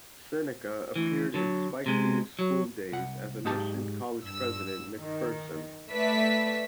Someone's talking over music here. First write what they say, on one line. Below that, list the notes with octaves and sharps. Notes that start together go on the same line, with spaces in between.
Seneca appeared in Spike Lee's "School Daze" as Mission College President McPherson.
D2 E3
D3 F#3
C3 G#3
F#3
C2 F#5
G#2 D#4 G4 A5
G2 E6
D#3
A3 B4 D5 E5 B6